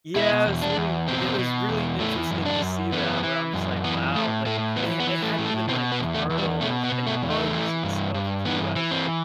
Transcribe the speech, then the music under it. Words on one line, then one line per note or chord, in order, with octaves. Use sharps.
Yeah, it was really w they it was really interesting to see that where I'm just like, "Wow," like, it it had even, like, turtles and bugs and stuff too as, like
B2 E4
E2
D4
E2
B2 C4
B2
E2
E3 A3
F#2
D4
F#2
E3 B3
E3
F#2
E3 B3
A2 A3
A2 A3
E3 B3
B3
E3
A3
A2
A3
B2 C4
B3
E2
A3
E2
G3
B2 A3
B3
B2
A3
E2
A3
E3
G2
G2
E3 B3
E3
C4